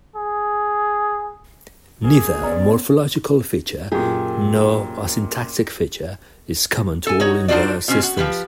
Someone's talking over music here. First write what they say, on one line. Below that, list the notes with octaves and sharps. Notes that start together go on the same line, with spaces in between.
Neither a morphological feature nor a syntactic feature is common to all inverse systems.
G#4
A#1 A#3 G#4
A1 B3 C#4 D5 D#5 A#5
F#2 A#2 G4 G#4
A4 G#5
D#4 F#4 C#5
D4 D#4 F4 F#4 C5 D5
B2 C4 C#4
F#4
F3 G4 B4